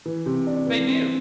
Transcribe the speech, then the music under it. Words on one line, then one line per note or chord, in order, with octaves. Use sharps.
They do.
E3
C3
D4
E3
C4